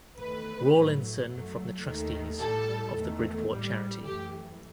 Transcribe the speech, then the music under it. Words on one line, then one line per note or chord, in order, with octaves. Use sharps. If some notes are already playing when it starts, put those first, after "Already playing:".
Rawlinson from the trustees of the Bridport Charity.
E2 D#3 A3 B4
A2 F#3 A3
F#2 F#3 A3
D#2 D#3 A3
A2 G3 A4
E2 D#3 A3
A2 G3
F#2 E3 A3 G4